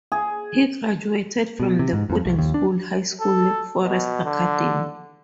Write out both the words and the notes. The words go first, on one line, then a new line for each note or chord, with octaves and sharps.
He graduated from the boarding school high school Lake Forest Academy.
G#4
B2
C3
G#2
F2
C2
D#2
D4
A4
B2
D3